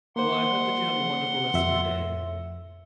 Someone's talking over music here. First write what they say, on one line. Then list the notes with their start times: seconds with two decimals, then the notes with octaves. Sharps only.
Y well, I hope that you have a wonderful rest of your day.
0.16 A#3 C5 F#5 C6
1.54 F2 E5 E6